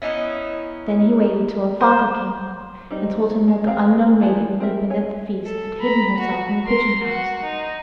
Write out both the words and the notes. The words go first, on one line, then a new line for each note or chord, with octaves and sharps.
Then he waited till her father came home, and told him that the unknown maiden who had been at the feast had hidden herself in the pigeon-house.
B3 C#4 D#4 E4
C5
G3 C4 D#4
G#3
B3 C4 G#4 F5 A#5
E3 F3 B3
C4 A#4 E5
C#5 G#5
A4
A#5 B5
F#4
A#4 C6
F#4 F#5
D#4